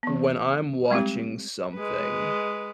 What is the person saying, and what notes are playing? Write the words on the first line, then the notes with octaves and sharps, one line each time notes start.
when I'm watching something,
E3 B3
G3 G#3 C4 E4 G4
G#3 B4